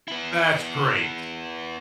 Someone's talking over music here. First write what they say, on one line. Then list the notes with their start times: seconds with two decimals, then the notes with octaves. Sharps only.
That's great.
0.08 B3 E4